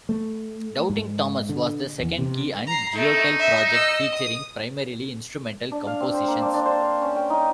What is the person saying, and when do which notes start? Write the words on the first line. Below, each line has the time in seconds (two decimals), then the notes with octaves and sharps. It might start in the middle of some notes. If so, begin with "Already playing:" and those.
Doubting Thomas was the second Key and Geottel project, featuring primarily instrumental compositions.
0.09 A3
0.90 G#2
1.49 D3
2.03 E2
2.18 C3
2.67 A#5 C7
2.96 A3 D#4
3.39 E5
3.73 D#5 E6
4.14 D#6
5.72 D4
5.87 F5
6.00 C4
6.14 C5
6.27 A#3
6.42 D4
6.54 D4
6.66 C5
6.80 F5
7.02 C#4
7.16 G5
7.30 D#4